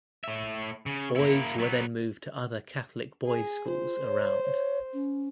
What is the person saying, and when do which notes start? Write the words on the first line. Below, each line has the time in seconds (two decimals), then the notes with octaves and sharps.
Boys were then moved to other catholic boys’ schools around.
0.24 A2 E5
0.86 C#3
1.16 A#3 E4
1.58 F#3 B3
3.26 G#4
3.67 F4 C5
4.05 C#5
4.44 C#5
4.93 C#4